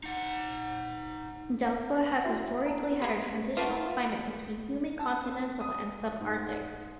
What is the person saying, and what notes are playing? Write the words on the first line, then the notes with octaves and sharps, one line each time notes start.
Delsbo has historically had a transitional climate between humid continental and subarctic.
D#4 F#5
E4 F#4 E5
A5 A#5
G#3 B3 G4
A3 A#3 F4 B4 F#5
A5
C4
D#6
G#2